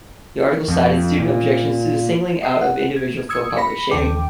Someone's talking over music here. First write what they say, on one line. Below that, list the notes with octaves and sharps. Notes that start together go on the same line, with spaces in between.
The article cited student objections to the singling out of individuals for public shaming.
F2
A#2
D#5 C7
F#5
G#6
D#6 E6 G#6 C#7
B5 A#6 B6 C#7
D#2 C#3 A4 G5 D6